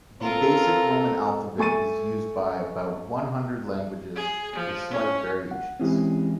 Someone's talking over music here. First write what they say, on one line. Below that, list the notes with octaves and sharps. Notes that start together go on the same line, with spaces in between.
The basic Roman alphabet is used by about one hundred languages, with slight variations.
C4 F4 A4 A#4
A3 G#5 C#6 A6 D#7
G#4
F3
C#4
F#5
E3 G#3 C4 C#4 E4 G4